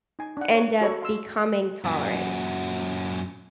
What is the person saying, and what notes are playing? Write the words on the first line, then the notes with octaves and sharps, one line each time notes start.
end up becoming tolerance,
D#4 G#5
D4 F#5
C#5
F#4 A4 C#5 B5 C#6
F5 C6 E6
F#2 A#2